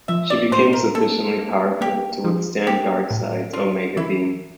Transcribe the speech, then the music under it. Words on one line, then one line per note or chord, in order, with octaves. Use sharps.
She became sufficiently powerful to withstand Darkseid's Omega Beams.
F3 E5
D5
A2 C5
A#4
A#3 A4
A#3
A#3 G4
F3
A#3 G4
A2
D4 F4
E3 E4